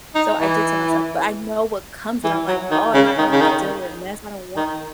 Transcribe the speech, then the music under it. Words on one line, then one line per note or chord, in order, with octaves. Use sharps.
so, I did tell myself, but I know what comes when I'm like, "Oh, am I gonna have to deal with mess? I don't want"
D#4
E3
E3
F#3
D#3
C#3
D#3
C#3
D#3
D#3